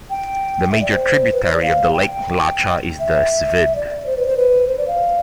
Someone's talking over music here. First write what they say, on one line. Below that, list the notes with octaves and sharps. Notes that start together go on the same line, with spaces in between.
The major tributary of the Lake Lacha is the Svid.
G5
E5
D5
C5
B4
C5
D5
F5
G5
E5
D5
C5
B4
C5
B4
C5
D5
F5